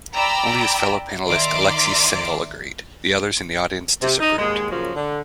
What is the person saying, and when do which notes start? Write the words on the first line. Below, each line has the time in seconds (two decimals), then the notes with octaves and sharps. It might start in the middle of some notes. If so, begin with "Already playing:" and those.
Only his fellow panellist Alexei Sayle agreed; the others and the audience disapproved.
0.15 D5 G5 A#5 B5 D6 E6
1.27 D#3 D5 E5 A#5 C6 D6
4.01 C3
4.20 D#4
4.39 D#2 G#2 G#3
4.71 F#2 A#2 C#3 F3 F#3
4.96 D3